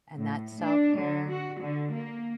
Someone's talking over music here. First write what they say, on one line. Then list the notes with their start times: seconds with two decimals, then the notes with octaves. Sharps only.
and that's self-care,
0.18 A2
0.62 D4
0.98 D3
1.31 F#4
1.60 D3
1.94 A#3